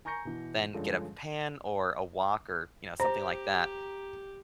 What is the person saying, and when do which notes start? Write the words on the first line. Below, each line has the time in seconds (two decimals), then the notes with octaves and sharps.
then get a pan or a wok or, you know, something like that,
0.05 G#5 A#5 C#6 G6 A#6 C#7
0.25 B2 E3
0.74 G2 D3 F3 G#3 C#4
3.00 G4 C5 A#5